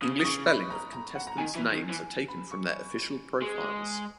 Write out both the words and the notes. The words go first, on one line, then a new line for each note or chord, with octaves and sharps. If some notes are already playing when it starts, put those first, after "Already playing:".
English spelling of contestants names are taken from their official profiles.
C#3 D#6
D#6
C#6
B5
A#5
A#5
F#5
A#5
D#3 G#5
E3
D#3
E3
B5
C#6
G#3